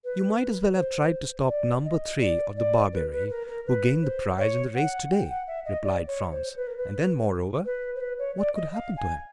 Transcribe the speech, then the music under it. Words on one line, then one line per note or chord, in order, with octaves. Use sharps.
"You might as well have tried to stop number three of the barberi, who gained the prize in the race to-day," replied Franz; "and then moreover, what could happen to him?"
B4
C5
D5
D#5
D5
D5
B4
B4
A#4
A#4
B4
C5
C#5
F#5
G5
F#5
E5
D#5
D5
C#5
C5
B4
A#4
B4
B4
C5
B4
C#5
D5
D#5
F5
G#5